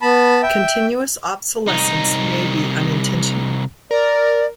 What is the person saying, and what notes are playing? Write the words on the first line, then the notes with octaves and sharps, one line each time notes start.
Continuous obsolescence may be unintentional.
B3 A5 B5
E5 G5
C2 D#4
A#4 D5